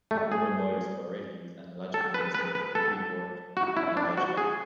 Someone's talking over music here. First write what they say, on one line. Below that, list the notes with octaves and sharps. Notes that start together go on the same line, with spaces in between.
Roman lawyers had already used analogical reasoning and the Greek word "analogia".
A3
G#4
A4
B4
B4
B4
A4
F#4
E4
D4
F#4
G#4